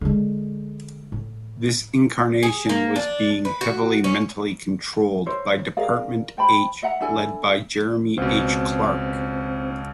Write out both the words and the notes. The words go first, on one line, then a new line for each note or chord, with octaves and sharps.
This incarnation was being heavily mentally controlled by Department H, led by Jermery Clarke.
D3 G#3
A2
G#4
A#3
D4
B4
F#4
C#4
E4 A#4 C5 C#5
G#4 A#4 D5 F5
C5 G5 A5 B5
D#5 E5 F#5 A#5
D4 E4 A4 G#5
C#2 B2 C4